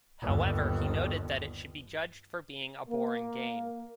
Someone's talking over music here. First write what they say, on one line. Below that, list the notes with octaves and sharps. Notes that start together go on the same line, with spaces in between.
However, he noted that it should be judged for being a boring game.
G1 D#2
A#3